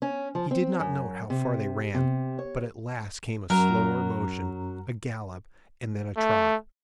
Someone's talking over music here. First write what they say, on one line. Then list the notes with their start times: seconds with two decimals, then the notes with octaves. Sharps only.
He did not note how far they ran; but at last came a slower motion, a gallop, and then a trot.
0.02 C#4
0.35 F3
0.51 C4
0.80 F#2
1.30 C3
1.94 C3
2.39 C#5
3.50 F#2 F#3 A#4
6.16 A3